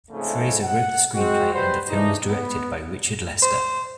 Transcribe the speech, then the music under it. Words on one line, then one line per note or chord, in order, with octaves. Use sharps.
Fraser wrote the screenplay and the film was directed by Richard Lester.
F2 G#2 C#3 G#3 A3
F#5
G#3 C4 F#4
G3 G4 B4 C5
E3 G#3 A3 D4 D#4
B3
C5